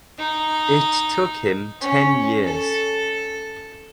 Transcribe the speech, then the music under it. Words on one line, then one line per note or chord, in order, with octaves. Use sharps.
It took him ten years.
D#4
C#4
A4